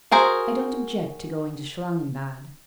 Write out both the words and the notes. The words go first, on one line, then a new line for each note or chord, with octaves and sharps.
I don't object to going to Schlangenbad.
F#4 G#4 A#4 C5